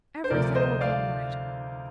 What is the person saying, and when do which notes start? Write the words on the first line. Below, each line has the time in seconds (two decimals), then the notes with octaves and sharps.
Everything will come right.
0.24 C5
0.30 D2 C3 F3 A#4 D5
0.55 C5 D#5
0.81 D5 F5